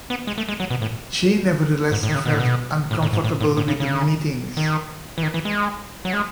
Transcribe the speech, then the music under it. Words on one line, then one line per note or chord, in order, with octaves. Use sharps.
She nevertheless felt uncomfortable with the meetings.
B3
G#3
A3
G#3
F#3
B2
A2
G#2
A2
D#3
C#3
B2
A2
B2
A2
A2
G#2
A2
A2
A2
C#3
C#3
D#3
E3
D#3
E3
G#3
F#3
G#3